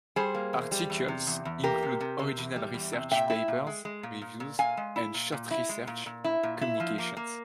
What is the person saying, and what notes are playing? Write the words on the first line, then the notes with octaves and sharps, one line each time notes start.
Articles include original research papers, reviews, and short research communications.
G3 G#4 C5
A#3
E2
G3
E2
C3
E2
E2
A#3 G4 A#4
C3
C3
C3
E2
G3
E2
C3
A#2 E5 G5
E4
A#2
G#3
G#3
A#2
A#2
A#2
A#2 F5 G#5
G#3
E4
A#2
A#2
E4
G#3
A#2
A#2
E4
A#2
E4
F3
A#3
A#3